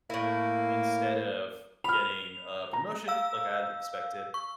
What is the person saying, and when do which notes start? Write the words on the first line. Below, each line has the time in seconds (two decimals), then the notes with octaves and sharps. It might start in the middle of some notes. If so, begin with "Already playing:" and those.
instead of getting a promotion like I had expected,
0.10 A2 A#3 E4
1.84 B5 F6 F7
2.73 A#5
3.08 F5 E6
4.34 C#6